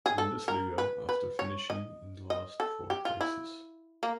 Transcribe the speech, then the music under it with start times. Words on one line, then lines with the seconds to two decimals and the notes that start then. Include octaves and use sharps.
Bundesliga after finishing in the last four places.
0.06 G#4
0.18 A4
0.48 A#4
0.78 B4
1.09 B4
1.39 C#5
1.70 D#5
2.30 D#5
2.60 A4
2.90 G4
3.05 F4
3.21 E4
4.03 A#3